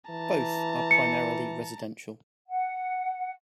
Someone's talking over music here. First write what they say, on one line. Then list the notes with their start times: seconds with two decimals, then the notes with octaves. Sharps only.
Both are primarily residential.
0.10 E3 A5 A#5
0.91 C#7
2.48 F#5